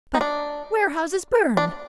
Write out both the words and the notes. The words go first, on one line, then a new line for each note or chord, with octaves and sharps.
"But warehouses burn."
D#4
D4
D4